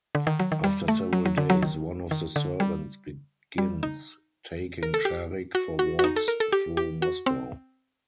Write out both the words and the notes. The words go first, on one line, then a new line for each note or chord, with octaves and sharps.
After several days, one of the servants begins taking Sharik for walks through Moscow.
D3
D#3
F#3
D#3
G3
A3
F#3
F#3
D3
F#3
D#3
D#3
D3
G3
G3
D#4
A#4
A4
G4
F#4
F#4
F#4
D#4
A4
A#4
A4
G4
G4
F#4
C4